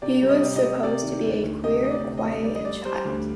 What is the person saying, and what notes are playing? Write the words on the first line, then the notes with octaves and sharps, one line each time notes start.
He was supposed to be a queer, quiet child.
C3 D5
G3
D#5
C3
D#5
C3
C3 D5
D#3
D2
D2
C3 D#5
D2 D#5
D5
C3
D#5
D2
G3 D5
D#5
G3 D5
G3 C5
D2